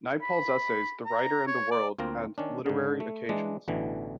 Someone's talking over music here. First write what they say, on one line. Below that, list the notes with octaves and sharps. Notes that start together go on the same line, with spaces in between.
Naipaul's essays, "The Writer and the World" and "Literary Occasions".
B5
A#5
C#5
D5
D2 A#3 C4 F4 A#5
D#3 C#4 D4
G#2 D3
A3
E3 G#3 D4
A1 B2 D3 E3